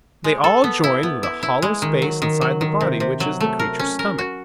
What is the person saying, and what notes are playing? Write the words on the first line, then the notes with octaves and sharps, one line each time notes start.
They all join with a hollow space inside the body, which is the creature's stomach.
G#3
A4
B3
E4
B3
E4
E4
G#3
D#3
F#3
D#3
F#3
D#3
C3
C3
F#3
A3
A#4
C#4
A#4
F#4